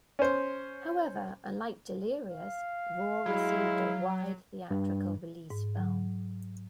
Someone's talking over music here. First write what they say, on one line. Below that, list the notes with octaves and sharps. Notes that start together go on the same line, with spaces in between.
However, unlike "Delirious", "Raw" received a wide theatrical release film.
C#4 C5
F5
F#3 G#3 E4
G2
G#2
F#3